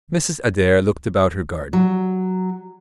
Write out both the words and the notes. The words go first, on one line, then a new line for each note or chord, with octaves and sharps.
Mrs. Adair looked about her garden.
F#3